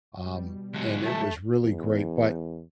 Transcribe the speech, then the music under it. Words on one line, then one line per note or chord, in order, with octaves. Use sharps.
um, and it was really great, but,
B2 G3
D2 F#3 G#3
A3 A4 E5
E2